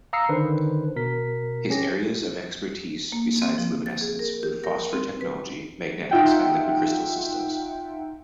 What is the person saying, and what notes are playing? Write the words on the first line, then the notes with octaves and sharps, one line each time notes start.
His areas of expertise, besides luminescence, were phosphor technology, magnetics and liquid crystal systems.
F5 A#5 D#6 E6 C7 C#7
D3 D#3 D4 B4 C5
B2 A#4 B6
C#4 G4 G#4 A#6
A#3
C4
F3
A6
G#4
A#4
G4
A#4
C4
B4
D#4 F4 E5 F#5 G5